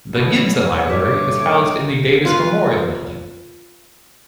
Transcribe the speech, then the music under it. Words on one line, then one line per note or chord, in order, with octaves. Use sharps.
The Gibson Library is housed in the Davis Memorial Building.
A1 B2 G3 C#5
G2 A#2 A3 E5 D6
F4 B4 F5